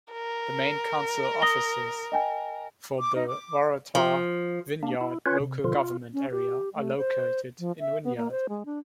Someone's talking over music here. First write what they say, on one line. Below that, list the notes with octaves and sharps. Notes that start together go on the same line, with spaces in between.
The main council offices for the Waratah-Wynyard local government area are located in Wynyard.
A#4
D#6 A#6 G7
D#5 G5 G#5
D6
D#4
D6
F3
A#3 D4
E4
C#4 F4 B4 C#5
C3
B2 D3 F3 F4
F4
C#4
G4
A3
C5
F3
E5
B3
A#3
C5
G#3
D4